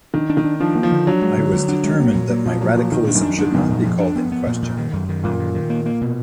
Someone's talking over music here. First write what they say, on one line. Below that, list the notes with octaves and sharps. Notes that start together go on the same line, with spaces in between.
I was determined that my radicalism should not be called in question.
D#3 D4
D4
D#3
D4
F3 D4
A#3
F3
D3
F#3 D4
G#3
D3
D3
D4
G#3
A#3
A#2
A#3
A#2 F3
F#3 A#3
A#2 F3
A#2 D#3
D4
F#2
D4
G#2 D4
F#2 B3
F2 A#2
F2 F3
D4
B3
B3
A#2
A#2
D#3
F#2
D#3
F#2 A#2
D#3
D#3
A#3
A#3
B2